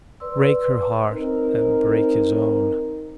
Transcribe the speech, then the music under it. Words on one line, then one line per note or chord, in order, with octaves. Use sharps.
Break her heart and break his own.
B4 D5 C6 E6
C4 D#4 A#4